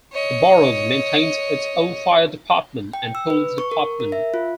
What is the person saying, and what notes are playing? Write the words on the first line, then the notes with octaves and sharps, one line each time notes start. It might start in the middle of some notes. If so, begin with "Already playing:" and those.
The borough maintains its own fire department and police department.
C#5 D#5
G5
E6
B4
C#6
A#4
A#4
E5
F4